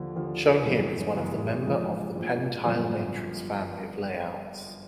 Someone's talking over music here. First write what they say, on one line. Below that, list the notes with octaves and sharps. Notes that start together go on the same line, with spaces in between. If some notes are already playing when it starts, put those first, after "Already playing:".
Shown here is one of the member of the PenTile matrix family of layouts.
Already playing: D#2 D3 F3
D#2 D3 F3
G1 F#2 C#3 E3 G#3
G1 F#2 C#3 E3 G#3
A#1 G#2 F3
A#1 G#2 F3
G1 F#2 D3 F3